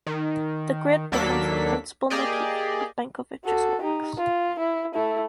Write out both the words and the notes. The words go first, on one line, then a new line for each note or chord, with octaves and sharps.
The grid becomes the principal motif of Benkovich’s works.
D#3
D#2 F#3 A#3 D4 A4 B6
A#3 G4 G#4 D5 D#5
F#4 A4
D#4 G4
F4
E4
A3 E4